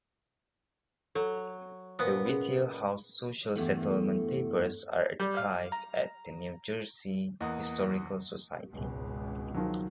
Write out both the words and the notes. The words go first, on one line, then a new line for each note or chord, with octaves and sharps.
The Whittier House Social Settlement Papers are archived at the New Jersey Historical Society.
F#3 A4
A#2 B3 C5 D#6 F#6
C#4 G#4
E2 G2 A3
G3
F5
A#5
E2 A#3 D#5 F#5 D#6
G#1 C#2 B2
D#3 F3 F#3